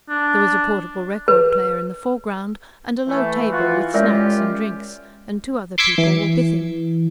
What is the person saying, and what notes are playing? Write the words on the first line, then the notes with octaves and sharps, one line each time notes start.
There was a portable record player in the foreground and a low table with snacks and drinks, and two other people were with him.
D4
B4
E3 A3
F4 F#4
G#3 C#4 F4 G4 A#4 D5 E5
C6 D6 E6 G#6 B6 C#7
E3